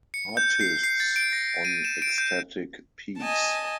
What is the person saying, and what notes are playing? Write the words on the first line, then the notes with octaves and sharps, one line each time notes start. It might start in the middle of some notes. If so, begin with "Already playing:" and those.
Artists on Ecstatic Peace!
C#7
G6
C7
C7
A6
D7
A#6
D#7
E7
D7
G6
D#5 G#5 A5